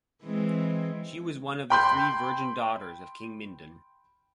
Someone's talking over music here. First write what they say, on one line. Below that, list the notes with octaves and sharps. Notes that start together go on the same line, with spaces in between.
She was one of the three virgin daughters of King Mindon.
E3 G#3 C4
G5 B5 C6 G6